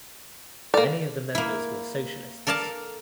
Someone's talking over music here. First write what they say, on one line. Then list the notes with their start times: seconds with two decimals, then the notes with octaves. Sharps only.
Many of the members were socialists.
0.74 A#3 A4 D5
1.35 A#3 E4
2.47 A4 A#4 D5 F5 A5